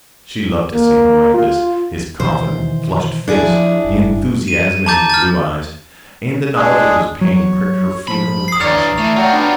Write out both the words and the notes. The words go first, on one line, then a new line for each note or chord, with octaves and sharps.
She loved to see him like this, his confident, flushed face, the enthusiasm in his blue eyes; and the knowledge of his pain pricked her feeling with passion.
A#3
F4
B2 D#3 E3 C5
D4 E4 G#4
F3
F#1 G2
D#7
A5 A#5 D6 G6 A6
F6 A6
G#3 D4 G#4
F#3 C#5
F3 B5
D#6 C7
G2 E3 C#5 D5 A#5 C#6 F6
E3 A3 F7
F#3 F4 F#4 G5
B3 D4 A#5